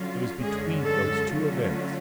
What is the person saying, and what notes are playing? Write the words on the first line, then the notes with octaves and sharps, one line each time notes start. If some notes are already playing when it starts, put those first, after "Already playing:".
It was between those two events.
Already playing: D3 F#3 C#4 F4
F#2 D3 G#3 C#4 G#4
A4
D3 F#3 A3 C#4 F4